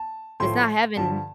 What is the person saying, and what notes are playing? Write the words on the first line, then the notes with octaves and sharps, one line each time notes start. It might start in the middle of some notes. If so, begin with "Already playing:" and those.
It's not heaven.
Already playing: A5
A2 C6
F3
G2 D3 F3 A5